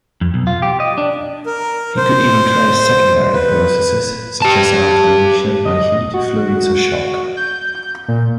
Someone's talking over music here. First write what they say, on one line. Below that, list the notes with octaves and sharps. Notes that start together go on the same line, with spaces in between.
He could even trace secondary processes, such as alteration by heat, fluids or shock.
F2
B1
F4
G4
D#5
D4
A#4
C5
B4
G4 A5
D#5
F#4
G6
A#2